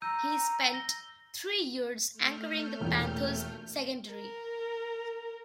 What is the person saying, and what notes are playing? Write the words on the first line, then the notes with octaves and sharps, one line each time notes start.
He spent three years anchoring the Panthers' secondary.
A#5 E6 G6 D#7
A#6 G7
A3 F6 G6
E1 E2 A#2
A#4